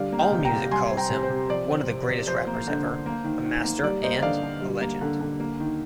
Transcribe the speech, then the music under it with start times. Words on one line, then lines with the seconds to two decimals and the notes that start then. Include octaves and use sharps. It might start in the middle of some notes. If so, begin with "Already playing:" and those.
Allmusic calls him "one of the greatest rappers ever", "a master", and "a legend".
Already playing: D3 G3 D5 F5
0.12 A#3
0.19 D#5 G5
0.31 C3
0.45 G5 A#5
0.51 C3
0.71 G3 G#5 C6
0.91 C4
0.97 G5 A#5
1.10 C3
1.23 C5
1.29 C3
1.49 F3 D5
1.69 C4
1.89 C3
2.08 C3
2.27 F3 C5
2.47 A#3
2.67 D3
2.86 D3
3.06 A#3
3.24 D#3
3.45 D#3
3.64 A#3
3.83 G3 D5
4.03 A#3 C5 D#5
4.22 D3 D5 F5
4.42 D3
4.62 G3
4.81 A#3
5.01 D3
5.20 D3
5.40 A#3
5.60 D#3